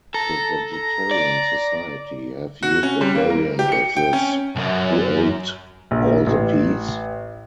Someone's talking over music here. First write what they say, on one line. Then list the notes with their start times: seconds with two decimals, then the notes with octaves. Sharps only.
The Vegetarian Society have used a variant of this, Who ate all the peas?
0.14 A4 A#5
0.73 A#5
1.11 D5
2.63 F#4
2.83 C#4
3.01 G3
3.15 A#3
3.30 A#4
3.59 G4
3.72 C#7
3.97 G5
4.13 C#4
4.56 B1 F#2
5.91 A#1
6.27 A1